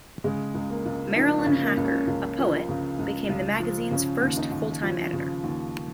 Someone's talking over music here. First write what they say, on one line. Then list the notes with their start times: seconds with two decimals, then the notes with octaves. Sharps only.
Marilyn Hacker, a poet, became the magazine's first full-time editor.
0.24 C#3 G#3
0.54 C#2
0.70 A#3
0.86 C#2
1.16 F3 D#4
1.38 C#4
1.46 C#3
1.62 A#3
1.77 C#2
1.85 C#4
2.07 C#2
2.38 F3
2.69 C#3
2.99 C#2
3.29 C#2
3.60 F3
3.91 C#3 C#4
4.21 D#2
4.37 D#4
4.52 D#2
4.83 F3
5.13 C#3
5.44 D#2